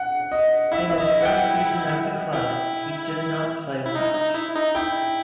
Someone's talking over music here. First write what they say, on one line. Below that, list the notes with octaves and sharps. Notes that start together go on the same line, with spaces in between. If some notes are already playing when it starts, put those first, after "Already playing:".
In his first season at the club he did not play much.
Already playing: F#5
D#5
E4 E5
E5
E4 D#5
F#5
G5
E4 G5
E4
D#4
D#4
E4
D#4
E4 G5